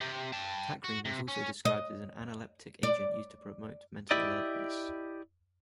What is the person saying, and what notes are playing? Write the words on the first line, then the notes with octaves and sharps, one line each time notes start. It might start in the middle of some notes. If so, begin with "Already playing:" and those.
Tacrine was also described as an analeptic agent used to promote mental alertness.
C3 G4
G5 A5
F#4
C3
C#4
D#5
D5
E4 G4 D5 D#5